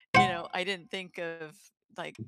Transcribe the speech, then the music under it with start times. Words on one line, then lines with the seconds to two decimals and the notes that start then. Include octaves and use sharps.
you know, I didn't think of, like,
0.15 C5 F#5